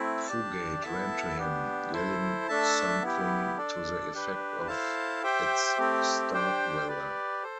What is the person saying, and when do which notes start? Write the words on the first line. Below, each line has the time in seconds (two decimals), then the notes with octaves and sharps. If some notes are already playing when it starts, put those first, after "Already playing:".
Fugate ran to him, yelling something to the effect of: It's Starkweather!
Already playing: A3 C4 E4
0.27 D4 G4 D5 A5
0.82 B3 E4 A4 E5 A5
1.37 B3 D4 G4
1.92 E4 A4 C5
2.48 A3 D4 A4 E5 A5
3.02 B3 E4 G4
3.57 D4 A4 D5
4.13 D4 G4 B4
4.67 E4 A4 C5 F5 A5
5.23 G4 C5 E5 G5
5.77 A3 C4 G4
6.33 D4 G4 C5 G5
6.88 G4 B4 D5
7.43 A4 C5